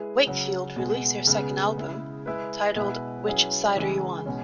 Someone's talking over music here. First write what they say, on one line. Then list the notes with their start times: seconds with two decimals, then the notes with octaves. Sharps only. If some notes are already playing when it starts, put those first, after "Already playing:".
Wakefield released their second album, titled Which Side Are You On?
Already playing: G#3 E4 G#4 B4
0.27 C#3 F#3 C#4
0.76 B2 G#3 B3
1.27 C#3 G#3 B3
1.76 C#3 G#3 E4 G#4
2.26 G#3 E4 G#4 B4
2.76 B2 G#3 E4 B4
3.26 F#3 C#4 E4 G#4 B4
3.77 C#3 E3 G#3
4.26 B2 G#3 C#4